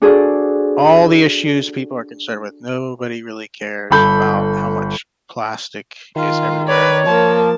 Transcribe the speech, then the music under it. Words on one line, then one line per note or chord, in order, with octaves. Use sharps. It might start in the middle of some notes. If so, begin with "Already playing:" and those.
all the issues people are concerned with, nobody really cares about how much plastic is everywhere,
D4 F#4 G#4 A4 C5 D5
G1 A4 B5 G6
D#3 F4
B4 C#5 D5
F3 A#3 A5